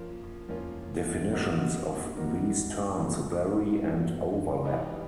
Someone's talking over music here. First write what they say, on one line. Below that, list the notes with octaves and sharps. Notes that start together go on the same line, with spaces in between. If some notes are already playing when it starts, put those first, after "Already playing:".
Definitions of these terms vary and overlap.
Already playing: F3 A#3 C#4 F4
F#2
E2 F3 A#3 C#4 F4
F2
E2
F2 G3 C4 D#4 F#4 A#4
E2
F2
G3 C4 D#4 F#4 A#4
F#3 A3 C4 F4
F#2 F#3 A3 C4 F4
G2
F#2
F2
F2 E3 G3 B3 D#4